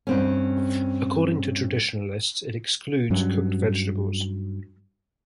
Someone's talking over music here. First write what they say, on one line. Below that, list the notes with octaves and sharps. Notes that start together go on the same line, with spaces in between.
According to traditionalists, it excludes cooked vegetables.
G2 C4 C#4
G2 F#3 C#4